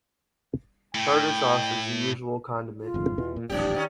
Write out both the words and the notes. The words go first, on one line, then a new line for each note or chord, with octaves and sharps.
Tartar sauce is the usual condiment.
A2 G5
F4
G1 F2 G#2
E2 B2 E3
A#2
D#1 A1 F#2 F3 G4 D5
D#3 A#3 C#4